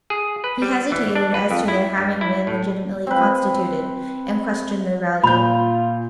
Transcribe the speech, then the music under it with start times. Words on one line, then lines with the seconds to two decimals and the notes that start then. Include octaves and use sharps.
He hesitated as to their having been legitimately constituted, and questioned their value.
0.10 G#4
0.44 B4
0.62 G3
0.92 E3
1.15 D4
1.34 B4
1.51 F2
1.68 E4
1.98 G2
2.21 E4
2.47 A2
3.07 C4 B4
5.24 A#2 F4 B5 G6